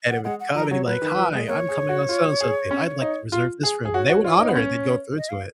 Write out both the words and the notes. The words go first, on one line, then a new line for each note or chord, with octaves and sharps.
And it would come and he'd like, "Hi, I'm coming on so-and-so date, I'd like to reserve this room," and they would honor it, they'd go through to it.
F#5
G#3 F#5
F#5
F3 A#5
F#3 C#5
F#3 B4
D#3
F3
G#3
A#3 C#5
G#4
F#4
F4
G#4
C#4
D#4
F4
G#4
G#4
F#4 C#5
F#4
F4
D#4
B3
C#4
D#5
F5